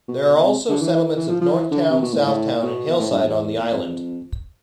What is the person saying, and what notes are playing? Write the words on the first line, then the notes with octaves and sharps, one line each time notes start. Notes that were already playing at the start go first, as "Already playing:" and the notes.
There are also settlements of Northtown, Southtown and Hillside on the island.
B2
C3
D3
E3
E3
F3
F3
E3
D3
C3
B2
A2
A2
B2
A2
G2
E2
F2